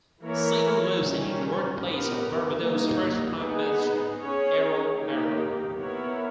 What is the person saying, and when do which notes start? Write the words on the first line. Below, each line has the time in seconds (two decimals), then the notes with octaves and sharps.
Saint Lucy is the birthplace of Barbados's first Prime Minister, Errol Barrow.
0.22 E3 A#3 E4 A#4 C#5
1.01 D#3 G3 C#4
1.79 B3 G4 A#4
2.59 G3 A#3 D#4
3.38 B3 D#4 G#4 B4
4.17 C#4 G#4 C#5
4.96 D#3 A#3 D#4 G4
5.75 B3 E4 A#4 C#5